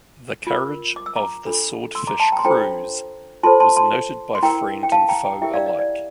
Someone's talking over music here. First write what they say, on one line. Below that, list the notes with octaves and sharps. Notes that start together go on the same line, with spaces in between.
The courage of the Swordfish crews was noted by friend and foe alike.
F4 A#4
D6
E6
A#5 D6
D4 F4 A4
C6 E6
A#5 D6
A5 C6
G5 A#5
C6
D4 F4 A4 C5 G5 A#5
F4 A4 C5 A5 C6
A5 C6
A5 C6
C6
E4 A#4 G5 A#5
G5
F5 A5
G5 A#5
G5 A#5
E4 G4 A#4 E5 G5
D5 F5
D5
D5